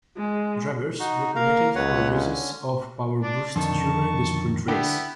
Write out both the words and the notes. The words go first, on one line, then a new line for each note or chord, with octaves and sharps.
Drivers were permitted four uses of PowerBoost during the Sprint Race.
G#3
D#4 F#4
A#3 A#4 F5 A#5
C#2 B4 C#5 F#5
D3 C#4
D4 D5
F2 D3 D#3 A5 C#6
D3 B3 D4 E4 G4 G5